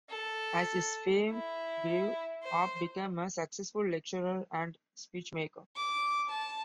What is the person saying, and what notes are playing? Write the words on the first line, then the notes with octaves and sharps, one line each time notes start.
As his fame grew, Arp became a successful lecturer and speechmaker.
A4
E4
C5
D6
A5